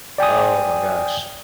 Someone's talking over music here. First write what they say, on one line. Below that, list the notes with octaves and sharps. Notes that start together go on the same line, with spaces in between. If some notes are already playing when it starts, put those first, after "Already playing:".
Oh my gosh.
D5 G5 G#5 D#6